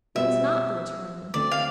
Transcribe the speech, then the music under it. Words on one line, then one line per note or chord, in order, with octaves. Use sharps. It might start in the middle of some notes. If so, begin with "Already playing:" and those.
It was not the attorney.
B2 G3 B3 F4 E5
D2 D3 A3 C4 D5
F5